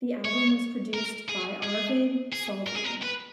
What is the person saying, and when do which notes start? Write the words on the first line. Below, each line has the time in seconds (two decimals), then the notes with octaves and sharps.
The album was produced by Arvid Solvang.
0.25 C#5
0.94 A#4
1.29 G#4
1.63 G#4
2.33 G#4
2.68 A#4
2.77 G#4
2.85 A#4
3.03 B4